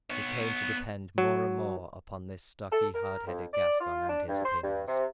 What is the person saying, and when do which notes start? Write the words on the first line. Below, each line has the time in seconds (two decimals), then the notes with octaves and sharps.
They came to depend more and more upon this stocky, hard-headed Gascon and his opinions.
0.10 B3 C#5
1.18 F#3
2.72 A4
2.94 A#4
3.27 F2
3.53 D5
3.80 F4
4.09 D4
4.28 G2
4.45 C5
4.63 G2
4.88 C3